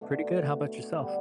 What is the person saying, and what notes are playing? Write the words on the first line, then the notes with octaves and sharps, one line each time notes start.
Pretty good, how ‘bout yourself?
B2 A3 D4 F#4
D3 G3 B3